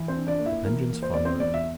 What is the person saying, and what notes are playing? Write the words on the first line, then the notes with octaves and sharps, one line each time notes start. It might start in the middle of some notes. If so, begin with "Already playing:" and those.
The Vengeance followed.
Already playing: E3
C4 C5
D4
D4 D5
A#3
E4 E5
E3 A#4
A#3
C5
E2 D5
C4 C5
E2 D5
E5